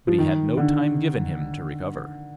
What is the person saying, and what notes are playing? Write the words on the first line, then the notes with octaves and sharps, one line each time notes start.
But he had no time given him to recover.
F3
D#3
D3